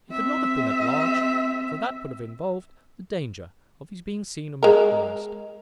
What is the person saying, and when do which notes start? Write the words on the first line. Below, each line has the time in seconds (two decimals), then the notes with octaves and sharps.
He could not have been at large, for that would have involved the danger of his being seen and recognized.
0.10 C4 E5
4.63 G#3 A#4